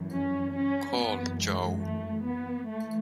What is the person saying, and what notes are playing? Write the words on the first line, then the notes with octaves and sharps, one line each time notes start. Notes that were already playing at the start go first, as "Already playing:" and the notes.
Call Joe.
Already playing: F#2 E3
C#4
C#4
F#2 E3 B3
G#3
A3
B3
E3 A3